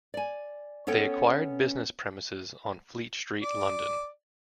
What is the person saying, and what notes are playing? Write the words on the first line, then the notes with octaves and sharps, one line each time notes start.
They acquired business premises on Fleet Street, London.
D5 G#5
B3 C#4 A4 C#5 G5
D5